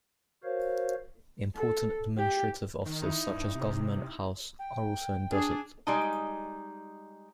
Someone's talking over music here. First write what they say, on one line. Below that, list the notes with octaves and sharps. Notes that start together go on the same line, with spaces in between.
Important administrative offices such as Government House are also in Dusit.
F#4 A#4 C5 C#5 F5
A4
G4
D#3
D#4 E4
G2
C3
G5
D4 G#4
G3 G#3 D#4